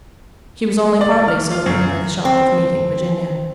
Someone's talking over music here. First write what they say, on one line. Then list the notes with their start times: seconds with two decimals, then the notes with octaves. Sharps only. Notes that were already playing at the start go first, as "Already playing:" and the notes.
She was only partly sobered by the shock of meeting Virginia.
1.01 D5
1.28 F6
1.51 F4
1.66 F#2
2.25 C4